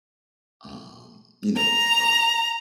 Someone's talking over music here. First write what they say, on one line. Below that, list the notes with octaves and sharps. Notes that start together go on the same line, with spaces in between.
um, you know, uh,
A#5